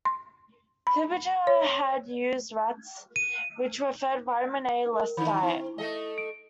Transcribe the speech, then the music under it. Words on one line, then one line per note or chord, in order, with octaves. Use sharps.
Fibiger had used rats which were fed vitamin A-less diet.
C6
B5
C#5
D#7
A#4
D#3 D#4 B5
C4 E4
A3 A4 D#5
D7